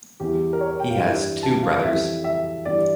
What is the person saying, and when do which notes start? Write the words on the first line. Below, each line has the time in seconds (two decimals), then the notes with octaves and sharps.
He has two brothers.
0.20 E2 E3 G3 G4
0.53 A#4
0.61 C#5
0.80 G5
0.90 F5
1.01 G2 E3 G3 E5
1.43 A5
1.63 F5
1.83 F2 E3 G3 E5
2.24 E5
2.65 G2 E3 G3 D5